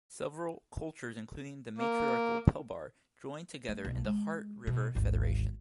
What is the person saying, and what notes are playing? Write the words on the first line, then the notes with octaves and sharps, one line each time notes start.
Several cultures, including the matriarchal Pelbar, join together in the Heart River Federation.
A#3
A3
B1
G#3
B2
G#1 D2